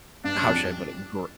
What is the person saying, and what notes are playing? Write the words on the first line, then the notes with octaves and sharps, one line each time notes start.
how should I put it? Gr
G2 D4
F#2
F2